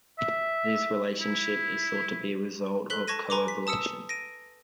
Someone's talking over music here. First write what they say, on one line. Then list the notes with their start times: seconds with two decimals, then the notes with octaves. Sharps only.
This relationship is thought to be a result of co-evolution.
0.19 E5
1.21 E4
2.90 A4 F#6 B6 F#7 G7
3.08 A5 C#6 G#6 A#6 D#7
3.30 B4 G#5 A#5 C6 D6
3.48 B6
3.67 A5 D#6 E6 C#7 E7
4.09 A#6 D7 D#7